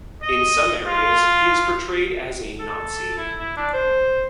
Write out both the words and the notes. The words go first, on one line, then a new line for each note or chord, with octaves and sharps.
In some areas, he is portrayed as a Nazi.
D#5
F4
A4
E4
E4
D4
C5